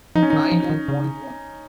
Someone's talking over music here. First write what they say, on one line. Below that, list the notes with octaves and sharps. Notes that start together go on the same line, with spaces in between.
I don't want one.
F3 D#4
C#4
D#3 D#4
F3
D#3
C#3